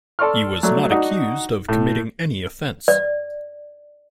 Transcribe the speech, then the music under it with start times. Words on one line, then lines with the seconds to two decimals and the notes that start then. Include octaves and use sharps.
He was not accused of committing any offence.
0.19 A4 D5 C6 C#6 F6
0.63 F#3 G3 A3
0.90 D4 D#4 F#4
1.69 A2
2.88 D5